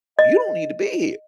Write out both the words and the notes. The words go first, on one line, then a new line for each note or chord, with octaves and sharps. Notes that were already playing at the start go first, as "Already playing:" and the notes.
you don't need to be here.
D#5